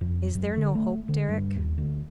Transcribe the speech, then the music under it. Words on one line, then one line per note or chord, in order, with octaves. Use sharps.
"Is there no hope, Deryck?"
F2
F#2
D3
A3
D3
G2
D#2
D2